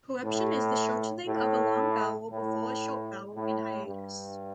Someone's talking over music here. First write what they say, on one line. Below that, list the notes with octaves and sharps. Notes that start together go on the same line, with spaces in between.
Correption is the shortening of a long vowel before a short vowel in hiatus.
A2
A2
A2
A2
G2